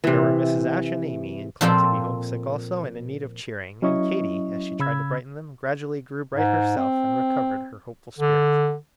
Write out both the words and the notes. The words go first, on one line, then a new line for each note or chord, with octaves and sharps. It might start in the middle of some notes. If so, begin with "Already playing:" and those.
But there were Mrs. Ashe and Amy, inclined to be homesick also, and in need of cheering; and Katy, as she tried to brighten them, gradually grew bright herself, and recovered her hopeful spirits.
C3 E3
A#2 F3 C4 A4 G5
F#3 C#4 E4 D#5 C#6
C#3 B5 E6 G#6
G#2
C4
D3